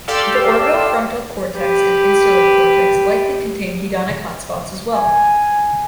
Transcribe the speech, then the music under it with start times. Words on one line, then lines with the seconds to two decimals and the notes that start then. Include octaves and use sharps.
The orbitofrontal cortex and insular cortex likely contain hedonic hotspots as well.
0.08 G4 A4 D5 F5 C6 E6
1.58 G4 B4
4.93 G#5